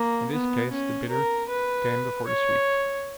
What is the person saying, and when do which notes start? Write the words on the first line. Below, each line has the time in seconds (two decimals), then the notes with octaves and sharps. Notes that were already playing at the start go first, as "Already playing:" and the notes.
In this case the bitter came before the sweet.
Already playing: A#3
0.32 B3
0.71 C#4
1.10 A#4
1.49 B4
2.26 C#5